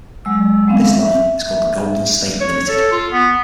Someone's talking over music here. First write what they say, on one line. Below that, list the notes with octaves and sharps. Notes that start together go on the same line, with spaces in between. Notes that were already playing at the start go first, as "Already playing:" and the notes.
This line is called the "Golden State Limited".
F#3 G#3 E6
G3 G#3 B3 C4 F5
E5
C#5
A4
F4
B3